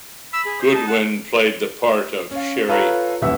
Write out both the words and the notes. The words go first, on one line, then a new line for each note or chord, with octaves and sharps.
Goodwin played the part of Cherie.
B5 E6
G#4
C5
D#4 A5
F#5
C#4 F5
F4 A4 B4 C#5 F5 A#5
D#1 F#2 E3 E5 F#5 E6